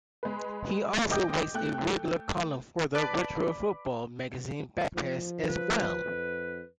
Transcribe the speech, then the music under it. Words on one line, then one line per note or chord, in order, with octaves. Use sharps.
He also writes a regular column for the retro football magazine Backpass as well.
G#3 B4
D#5 G5 D6 G6
A3 G5 F#6
B4 D5 A5
F3
B4
F2